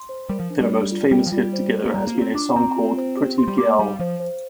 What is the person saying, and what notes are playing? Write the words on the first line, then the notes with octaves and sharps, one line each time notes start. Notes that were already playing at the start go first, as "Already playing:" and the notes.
Their most famous hit together has been a song called "Pretty Gyal".
Already playing: C6
C5
G3 A#4
F3
D4
G3
D4
F4
G3 G5
F3
G3 F4
C5
C5
A#3
G3 A#5
A#3
F4
C4
D4 D6
C4 A#5
F4
C5
G4
C6
G3
A#3 D6
G3 F5
F3 C5
C5